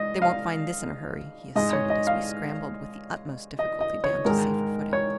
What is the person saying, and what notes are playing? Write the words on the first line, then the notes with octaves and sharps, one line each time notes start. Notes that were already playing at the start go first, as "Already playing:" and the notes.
"They won't find this in a hurry," he asserted, as we scrambled with the utmost difficulty down to safer footing.
Already playing: G#2 D#5
F5
G#2 G#3 D#5
C#5
D#5
F5
D#5
D#5
C#5
G#2 D#3 G#3 A#4
C#5